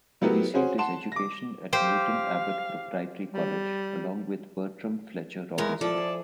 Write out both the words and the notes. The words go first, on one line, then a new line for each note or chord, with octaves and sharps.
He received his education at Newton Abbot Proprietary College along with Bertram Fletcher Robinson.
F#3 A3 B3 E4 G4 A#4
C#4 F#4 G#4 C5
F#5 A5 C6 E7
D6 A#6
G4 C5 F5
G3
E2 G#3 A#4
F3 E4 A4 D5
G#4